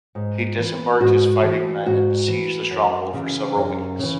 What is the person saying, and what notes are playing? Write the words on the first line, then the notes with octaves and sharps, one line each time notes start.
He disembarked his fighting men and besieged the stronghold for several weeks.
G#2
E3
G#2 F#4
E3
G#2 F#4
E3
F#2
C#3 E3
F#2
C#3 E3